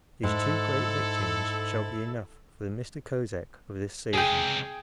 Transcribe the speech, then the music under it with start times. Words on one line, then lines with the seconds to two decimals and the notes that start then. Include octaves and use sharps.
These two great victims shall be enough for the Mista Kosek of this season.
0.23 G#2 E4 A4
4.13 C#2 C3 G#4 G5